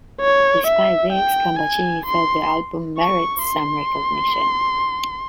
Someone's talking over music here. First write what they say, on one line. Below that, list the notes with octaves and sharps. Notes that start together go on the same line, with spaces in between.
Despite this, Gambaccini thought the album "merits some recognition".
C#5
E5
G5
G#5
C6
C#6
C6